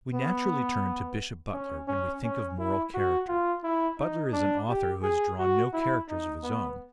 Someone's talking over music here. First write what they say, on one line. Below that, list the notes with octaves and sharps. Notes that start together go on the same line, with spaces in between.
We naturally turn to Bishop Butler when we think of moral character. Butler is an author who has drawn no characters of his own.
B3
C#4
C#4
C#4
E4
F#4
F4
E4
D#4
D4
G4
G#4
F#4
E4
D#4
B3